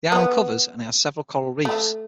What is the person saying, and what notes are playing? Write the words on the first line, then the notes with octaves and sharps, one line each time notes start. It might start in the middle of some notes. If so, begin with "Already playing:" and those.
The island covers and it has several coral reefs.
B3
A3